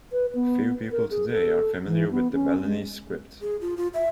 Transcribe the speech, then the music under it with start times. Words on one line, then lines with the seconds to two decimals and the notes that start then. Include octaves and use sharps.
Few people today are familiar with the Balinese script.
0.13 B4
0.35 B3
0.92 A#4
1.11 G#4
1.31 A4
1.87 E3
2.11 B3
2.33 C#4
2.65 G#3
3.42 G#4
3.61 F4
3.77 F4
3.94 E5